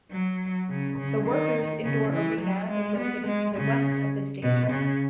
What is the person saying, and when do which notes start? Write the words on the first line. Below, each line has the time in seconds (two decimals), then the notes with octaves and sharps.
The Workers Indoor Arena is located to the west of the stadium.
0.11 F#3
0.69 C#3
0.98 C#3
1.27 D#3
1.84 C#3
2.13 E3
2.41 F#3
2.70 G#3
2.98 B3
3.27 G#3
3.56 C#3
4.43 B2
4.71 C#3